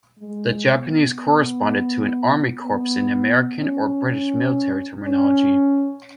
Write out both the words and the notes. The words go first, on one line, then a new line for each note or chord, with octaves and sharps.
The Japanese corresponded to an army corps in American or British military terminology.
G#3
B3
B3
B3
C#4
C#4
C#4